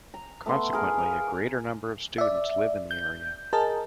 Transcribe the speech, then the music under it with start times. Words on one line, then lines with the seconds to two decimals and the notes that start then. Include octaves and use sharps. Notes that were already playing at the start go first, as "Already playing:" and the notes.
Consequently a great number of students live in the area.
0.14 A#5
0.46 A3 B3 C6
0.73 G#4 A#4
0.98 F5
2.18 D5 E5
2.91 G6
3.53 G#4 A#4 D#5 A5